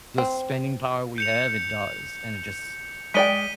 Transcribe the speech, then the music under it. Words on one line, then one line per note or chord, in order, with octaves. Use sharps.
the spending power we have, it does, and it just
C4
G6 C#7 F7
G#3 D5 G5 B6 D#7 G7